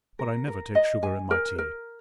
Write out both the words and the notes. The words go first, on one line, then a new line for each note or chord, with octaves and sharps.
"But I never take sugar in my tea."
A#4
A#4
D#5
G#5
A#4
A#4